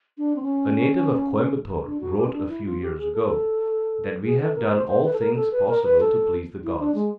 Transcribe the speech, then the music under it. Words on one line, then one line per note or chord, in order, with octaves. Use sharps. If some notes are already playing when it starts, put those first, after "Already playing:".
A Native of Coimbatore wrote a few years ago that we have done all things possible to please the gods.
D4
C4
C#4
D4
F#4
G4
C#4
D4
E4
F4
G4
G#4
A4
G#4
A4
A#4
C5
C5
B4
A4
A#4
A4
B4
A#4
B4
A4
E4
D4
G#3